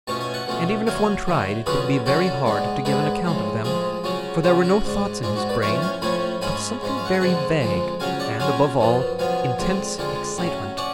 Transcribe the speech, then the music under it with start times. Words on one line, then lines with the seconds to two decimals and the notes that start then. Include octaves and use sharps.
And even if one tried, it would be very hard to give an account of them, for there were no thoughts in his brain, but something very vague, and, above all, intense excitement.
0.07 B2 A3 C#4 F4 A5
0.21 G#5
0.34 F#5 A5
0.47 B2 A3 C#4 F4
0.87 D3 F#3 A3 F5 G#5
1.27 D3 F#3 A3
1.66 D3 F#3 C#4 F4 G#4 B4
2.06 D3 F#3 C#4 F4 F#4 A4
2.46 G#2 G#3 B3 D4
2.85 G#2 G#3 B3 D4 G#4 B4
3.24 A2 F3 G#3
3.64 A2 F3 G#3 F4 G#4
4.04 C#3 F#3 C#4 F4
4.44 C#3 F#3 C#4 F4
4.64 F#4
4.83 G#2 G#3 D4
5.23 G#2 G#3 D4 F4
5.36 F#4
5.49 B4 D5
5.62 A2 F3 A3 C#4 F4 C#5 F5
5.82 F5 G#5
6.02 A2 F3 A3 C#4 F4 G#5 B5
6.41 G#2 G#3 C#4 F4 G#5 B5
6.81 G#2 G#3 C#4 F4
6.98 F5
7.05 F#5
7.13 G#5
7.21 F2 D3 F3 G#3 F#5 A5
7.61 F2 D3 F3 G#3
8.00 C#3 F#3 C#4 F4 F5 G#5
8.20 D5 F#5
8.40 C#3 F#3 C#4 F4 F5 G#5
8.79 F#2 F3 B3 F4
9.19 F#2 F3 B3 F4 F5 G#5
9.58 F2 D3 G#3 D4 F4
9.98 F2 D3 G#3 D4 F4
10.38 A2 F#3 C#4
10.77 C#4 D5 F#5